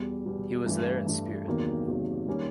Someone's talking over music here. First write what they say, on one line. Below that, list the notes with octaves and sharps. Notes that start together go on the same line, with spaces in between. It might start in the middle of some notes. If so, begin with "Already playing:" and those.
He was there in spirit.
Already playing: E2 B2 G3
E2 B2 G3
G2 E3 A3
G2 E3 A3
E2 C3 D#3 F#3 A#3
E2 C3 D#3 F#3 A#3
D#3 G3 A#3 C#4